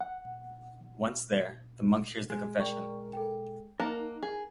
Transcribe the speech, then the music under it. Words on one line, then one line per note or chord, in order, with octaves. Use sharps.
Once there, the monk hears the confession.
F#5
G#3
A#4 D5 G5 C#6
A4 G5
A#3 D#4 A#4 F#5 A5 F#6
G#4